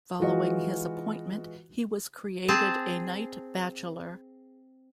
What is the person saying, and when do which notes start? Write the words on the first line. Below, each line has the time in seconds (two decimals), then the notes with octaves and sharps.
Following his appointment, he was created a knight bachelor.
0.20 E3 G#3 F4 F#4 B4 D#5
2.48 C4 G#4 A5